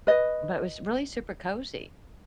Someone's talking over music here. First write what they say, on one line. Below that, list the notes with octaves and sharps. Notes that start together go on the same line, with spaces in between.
but, it was really super cozy
B4 D#5